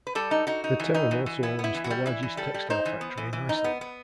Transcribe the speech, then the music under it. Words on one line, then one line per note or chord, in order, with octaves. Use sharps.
The town also owns the largest textile factory in Iceland.
B4
G3 A4
D#4
D#4 F#4
D#4
E3
D#4
E3
E3
B3 E4
B3
E4
E3
F#4
G3
E3 E4
E3
G3 A4
G3
D#4 C5
E3
B3
E3
E3
D#4
B3
B3